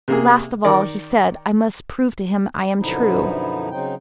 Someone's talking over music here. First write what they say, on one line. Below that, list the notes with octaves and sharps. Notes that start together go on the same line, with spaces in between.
Last of all he said I must prove to him I am true.
C3 A#3 G#4
D#3 A#4 D5
F#2 B2 D3 F3 D#4 E4
C#3 F#3 C4 D#4 G5